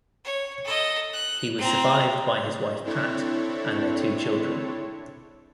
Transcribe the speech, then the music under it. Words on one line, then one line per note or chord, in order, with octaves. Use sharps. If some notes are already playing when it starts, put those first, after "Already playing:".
He was survived by his wife Pat and their two children.
C#5
A4 D#5
F#6
C4 A#5
C4 D4 E4 A4 C#5